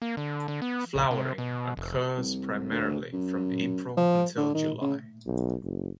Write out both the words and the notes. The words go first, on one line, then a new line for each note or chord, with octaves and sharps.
Flowering occurs primarily from April until July.
A#3
D3
D3
B3
A#1
C3
B2
F1
C2
D2
F#2
F3
D3
D#3
C#3
B1
F#1